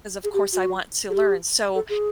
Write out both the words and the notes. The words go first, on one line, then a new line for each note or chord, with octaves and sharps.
of course, I want to learn, so,
G#4
G4
F#4
G#4
G4
A4
G#4